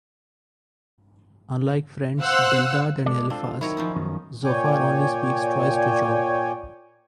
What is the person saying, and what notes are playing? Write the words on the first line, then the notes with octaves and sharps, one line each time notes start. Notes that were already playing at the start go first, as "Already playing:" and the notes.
Unlike friends Bildad and Eliphaz, Zophar only speaks twice to Job.
C5 F5 F#5 E6 F#6
G#3 A4 D5
C4 D4 F4 A4
D#3 F#3 E4 C#5 A#5
F3 C#4 D#4
B1 F#2 D#3
A#2 C#5 D5 G5 G#5